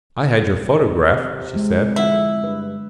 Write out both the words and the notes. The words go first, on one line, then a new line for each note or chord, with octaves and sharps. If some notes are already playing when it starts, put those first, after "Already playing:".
"I had your photograph," she said.
C3
G#3
F2 D3 G#3 E4 F#5
G2 B4